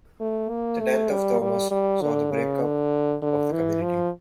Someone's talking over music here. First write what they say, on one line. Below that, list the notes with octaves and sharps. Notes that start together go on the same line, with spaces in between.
The death of Thomas saw the break-up of the community.
A3
A#3
A3
G3
G3
G3
D3
C#3
D3
D3
E3
F3